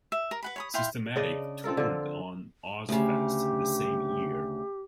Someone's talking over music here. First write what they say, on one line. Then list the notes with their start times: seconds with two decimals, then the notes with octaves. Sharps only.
Systematic toured on Ozzfest the same year.
0.12 E5
0.31 A#4
0.43 B4 F#5 B5
0.56 C#5 B5 D#6
0.74 E4 F5 G5 C6
1.16 C#3 D4 D5 D#5
1.64 C4 F4 A4 A#4
1.77 D3 F3
2.89 D2 C#3 G4